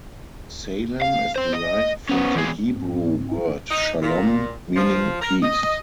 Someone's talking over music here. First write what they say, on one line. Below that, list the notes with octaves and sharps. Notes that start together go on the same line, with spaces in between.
Salem is derived from the Hebrew word "shalom", meaning "peace".
F5
C4 C5
D#5
B3 C#4
E2 G#3
G#2 C4
D#4
A#2
F3
A#4
D#5